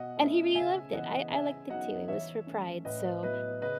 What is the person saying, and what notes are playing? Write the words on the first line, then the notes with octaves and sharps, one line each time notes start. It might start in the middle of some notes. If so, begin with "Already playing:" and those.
and he really loved it, I I liked it too, it was for Pride, so,
Already playing: B2 D#5 F#5
A3 C#4 E4
C#3 E5 G#5
E3 B3 E4 D#5 F#5
C#3 E5 G#5
F#3 B3 D#4 D#5 F#5
E3 C#5 E5
A3 C#4
A2 B4 D#5
F#3 B3 E4 B4 D#5
C#3 B4 D#5